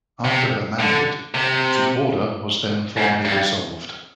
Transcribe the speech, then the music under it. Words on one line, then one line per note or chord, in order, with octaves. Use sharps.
After her mandate, the Order was then formally dissolved.
C3
D3
C3
G#2
G2